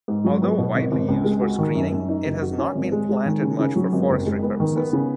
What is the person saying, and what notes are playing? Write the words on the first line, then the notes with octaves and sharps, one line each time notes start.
Although widely used for screening, it has not been planted much for forestry purposes.
G#2
F#3
B3
B2
G#1
G#1
C#2
G#3
F#4
D#3
F#2
F#2
D#4
F#1
F#4
C#4
G#1
G#3
G#3
D#3
C#3
C#3
F#3
G#1
F#1
G#3
B3
D#3
B3
C#3